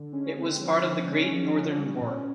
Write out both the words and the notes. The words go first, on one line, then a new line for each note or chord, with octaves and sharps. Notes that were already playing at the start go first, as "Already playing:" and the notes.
It was part of the Great Northern War.
Already playing: D3
G#3 C#4
D3 C4
F3 C#4
D3 C4
C4
G#3 C#4
F3
F3
G3
A#2